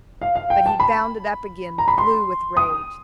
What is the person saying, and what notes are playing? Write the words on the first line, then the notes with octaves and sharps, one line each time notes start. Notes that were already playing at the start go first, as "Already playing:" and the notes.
But he bounded up again, blue with rage.
F5
F5
G5
A5
B5
A#5
B5
C6
D#6